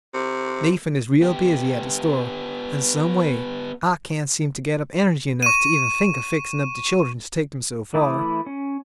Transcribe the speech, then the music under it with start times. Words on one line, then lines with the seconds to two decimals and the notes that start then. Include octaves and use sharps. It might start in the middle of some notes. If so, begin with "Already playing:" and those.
Nathan is real busy at the store; and, some way, I can't seem to get up energy enough to even think of fixing up the children to take them so far.
0.14 C3
1.22 B3 G4
5.43 C#6 D#7
7.94 E3 A3 E4 D6 D#6
8.46 C#4